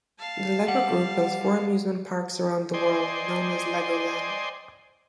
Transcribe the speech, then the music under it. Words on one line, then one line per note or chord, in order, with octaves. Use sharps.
The Lego Group built four amusement parks around the world, known as Legoland.
F5 A5
G3 F#5
C5 D5 D#5 G5 G#5 C6